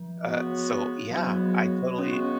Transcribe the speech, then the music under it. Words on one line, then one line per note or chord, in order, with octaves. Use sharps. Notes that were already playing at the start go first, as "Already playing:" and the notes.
Uh, so yeah, I totally
Already playing: F3
C#3 G#3 B3 F#4
C#3 F#3 G#3 B3 F#4
C#3 G#3 B3 C#4 F#4